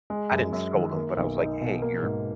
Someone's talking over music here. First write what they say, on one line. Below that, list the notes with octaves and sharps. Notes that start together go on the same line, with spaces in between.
I didn't scold him, but I was like, "Hey, you're
G#3
F#2
F#2
D#3
A#3
B1
D#4
B2
A#3
G#2